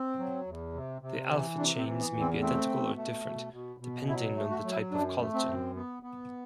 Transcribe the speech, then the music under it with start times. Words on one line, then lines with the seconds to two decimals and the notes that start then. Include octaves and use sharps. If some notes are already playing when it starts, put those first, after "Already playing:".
The alpha chains may be identical or different, depending on the type of collagen.
Already playing: C4
0.19 F#3
0.47 E2
0.74 C3
1.02 C3
1.30 E3
1.58 C3 D4
1.78 C4
1.86 E3
2.00 B3
2.14 E2
2.21 C4
2.41 A3 C4
2.69 B2
2.97 A3
3.25 B2
3.53 B2
3.80 B2
4.08 F#3 E4
4.36 A3
4.51 F#4
4.64 F#3
4.71 E4
4.91 F#2 D4
5.19 A3
5.34 C4
5.47 F#2
5.75 B3
6.03 B3